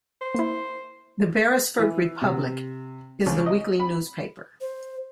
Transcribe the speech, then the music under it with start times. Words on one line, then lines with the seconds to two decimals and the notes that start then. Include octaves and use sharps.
The "Beresford Republic" is the weekly newspaper.
0.21 C5
0.35 A#3 E4
1.79 E3
2.22 C3
3.26 C#2
3.46 D#5
3.80 B5
4.61 C5